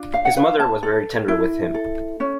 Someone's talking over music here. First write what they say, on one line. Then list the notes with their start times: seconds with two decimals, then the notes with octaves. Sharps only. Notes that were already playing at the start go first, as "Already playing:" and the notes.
His mother was very tender with him.
Already playing: D4 F4
0.14 F5
0.25 F#5
0.36 B4 F5
0.60 A5
0.83 A4
1.28 E4
1.74 A4
2.20 C#4